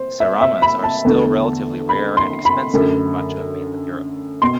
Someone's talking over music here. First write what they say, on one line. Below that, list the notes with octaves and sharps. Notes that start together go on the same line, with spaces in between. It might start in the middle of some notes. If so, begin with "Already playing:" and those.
Seramas are still relatively rare and expensive in much of mainland Europe.
Already playing: C5
E5
E5
B5
A5
E2 D3 A3
B5
C6
B5
F#2 D3 A3
B2 C6